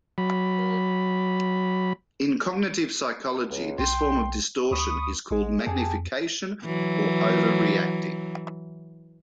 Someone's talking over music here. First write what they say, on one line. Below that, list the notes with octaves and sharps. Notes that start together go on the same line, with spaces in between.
In cognitive psychology, this form of distortion is called magnification or overreacting.
F#3 B5
C#2
B1 G5 C6
D2 B5 C#6 D#6
A1 G#3
F2 G4 G#4 A5
E3 F#3